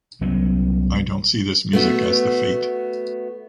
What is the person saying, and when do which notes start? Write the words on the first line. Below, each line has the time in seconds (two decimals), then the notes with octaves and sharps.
I don’t see this music as the fate.
0.21 C2 F#3 B3 C#4
1.73 A3 B3 F#4